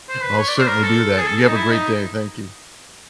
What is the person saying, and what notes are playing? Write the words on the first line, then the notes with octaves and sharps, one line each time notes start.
I'll certainly do that, and you have a great day, thank you.
C5
B4
C#5
D5
C5
A#4
A4
G#4
A4
A4
D#4
E4
D#4